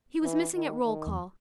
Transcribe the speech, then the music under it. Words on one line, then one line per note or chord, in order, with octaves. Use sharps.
He was missing at roll-call.
E3
D#3
D#3
E2